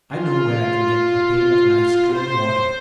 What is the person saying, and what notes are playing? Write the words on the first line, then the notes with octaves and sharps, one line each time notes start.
"I know where I can get a pail of nice clean water."
F4
C5